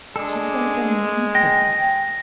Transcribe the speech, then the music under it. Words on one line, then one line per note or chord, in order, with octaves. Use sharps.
She's like Amanthis!
G#3 D4 A4
G5 A#6